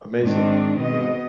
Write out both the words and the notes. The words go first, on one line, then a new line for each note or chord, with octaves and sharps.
amazing, you know?
G#2 D#3 C4 D4
B2 D#5